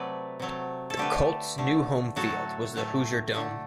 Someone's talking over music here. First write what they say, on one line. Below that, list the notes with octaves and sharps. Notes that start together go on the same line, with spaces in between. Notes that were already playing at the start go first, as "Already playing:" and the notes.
The Colts new home field was the Hoosier Dome.
Already playing: C3 F#3 A3 B4 D5
C3 F#3 A3
A4
D3 A3 G4 B4
D3 A3
A2 F#3 A3 F#4 A4
A2 F#3 A3
D3 A3